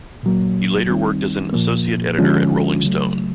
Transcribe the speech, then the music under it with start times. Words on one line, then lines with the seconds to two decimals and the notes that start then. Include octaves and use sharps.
He later worked as an associate editor at "Rolling Stone".
0.23 A#2 F#3 A#3
0.88 D#3 G3 C4 D#4
1.53 A#2 F3 A#3
2.18 D3 F3 G#3 C#4 F4
2.83 C#3 F#3 A3